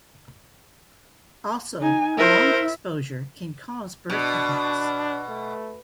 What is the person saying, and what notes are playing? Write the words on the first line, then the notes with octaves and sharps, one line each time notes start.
Also, prolonged exposure can cause birth defects.
D#4 G#5
E4 A#4 C5 E5
B2 D4
A3